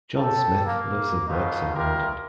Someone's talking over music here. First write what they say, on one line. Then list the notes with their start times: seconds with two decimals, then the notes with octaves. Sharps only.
John Smith lives and works in London.
0.17 G4 A4
0.64 A#3
1.28 G#1 G2 B2 D#4 F4
1.75 D2 E4 F4 G4 A#4